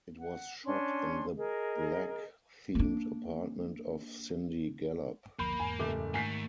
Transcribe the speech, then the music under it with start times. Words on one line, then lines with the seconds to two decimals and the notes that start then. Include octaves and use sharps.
It was shot in the black themed apartment of Cindy Gallop.
0.19 F#5
0.65 C#4 D4 C6
1.36 G#4 A#4 D#5
2.75 A#3 D4
5.39 F#1 D2 F3 A#3 B5 G6
5.60 E2 G#2 G#5
5.79 F#1 A3 G4 D6
6.14 G#2 D#3 A3 A#3 G#5 B6 C7